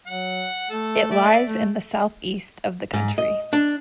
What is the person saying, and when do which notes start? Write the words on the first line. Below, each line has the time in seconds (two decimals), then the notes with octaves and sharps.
It lies in the southeast of the country.
0.06 F#3 F#5
0.70 A3 A4
1.11 D5 E5
1.45 A3
2.94 G#2
3.18 D#5
3.53 D4